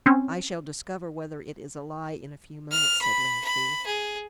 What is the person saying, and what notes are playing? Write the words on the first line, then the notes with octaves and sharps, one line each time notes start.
"I shall discover whether it is a lie in a few moments," said Ling Chu.
C4 C#4
F6
B5
B5
G#4